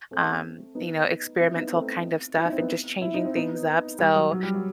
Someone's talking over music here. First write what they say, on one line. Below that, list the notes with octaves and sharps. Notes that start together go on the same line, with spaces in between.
um, you know, experimental kind of stuff, and just changing things up. So,
A3 C4
B3 D#4
C4 E4
B3 D#4
A3 C4
E4
D#4
C4
B3 D#4
E4
D#4
C4
B3 D#4
G3
F#3
F#3
G3
F#3